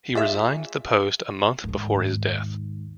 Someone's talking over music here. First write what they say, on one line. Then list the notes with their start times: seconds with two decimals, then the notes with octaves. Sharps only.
He resigned the post a month before his death.
0.15 F4 G#4 E5
1.64 D#2 G#2